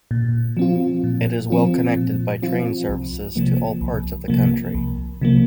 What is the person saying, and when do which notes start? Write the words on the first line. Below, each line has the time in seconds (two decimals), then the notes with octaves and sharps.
It is well connected by train services to all parts of the country.
0.11 A#2
0.57 F3 C4 F4
1.04 A#2
1.50 F3 C4 F4
1.96 A#2
2.42 F3 C4 F4
2.89 C2
3.36 C3 F3 A#3
3.81 C2
4.28 C3 F3 A#3
4.74 C2
5.22 C3 F3 A#3